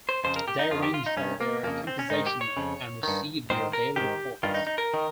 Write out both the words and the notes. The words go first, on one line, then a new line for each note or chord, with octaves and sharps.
Day arranged for their compensation and received their daily reports.
C5
F2 C#3 C5
A#4
G4
D#4
F2 D#3 F4
G4
F4
D#4
G2 D#3 C#4
A#3
F2 C#3 A#3
C4
C#4
G#2 D#3 D#4
G4
C#5
F2 C#3
G2 D#3
G#2 D#3 C5
A#4
G#2 D#3 G4
G2 D#3 F4
D#4
D#4
A#4
D#3